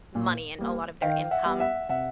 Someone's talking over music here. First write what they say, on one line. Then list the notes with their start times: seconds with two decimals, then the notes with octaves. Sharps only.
money and a lot of their income.
0.15 A#2
0.58 G3 A#3
1.02 D#3 F5 G5
1.31 E5 F#5
1.45 G3 B3
1.60 E5 F#5
1.89 C3 E5 F#5